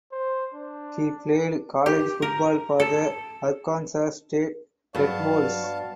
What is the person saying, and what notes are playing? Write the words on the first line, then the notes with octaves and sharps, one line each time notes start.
He played college football for the Arkansas State Red Wolves.
C5
D4
G4
A#4
A4
G2 F#3 B3 F#4 F5 A5